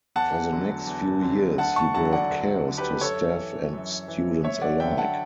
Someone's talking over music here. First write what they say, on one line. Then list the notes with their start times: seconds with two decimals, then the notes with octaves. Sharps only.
For the next few years, he brought chaos to staff and students alike.
0.16 E2 F#5 A5
0.52 D3 F#3
0.87 E2
1.22 D3 F#3
1.58 D2 F#5 A5
1.76 A5 C#6
1.94 D3 F#3 F#5 A5
2.13 D5 F#5
2.30 D2
2.66 D3 F#3
2.77 G4 B4
3.01 F#2 A4 C#5
3.37 E3
3.73 F#2
4.08 E3
4.44 F#2 C#5 E5
4.62 D5 F#5
4.80 D3 F#3 E5 G5
4.98 F#5 A5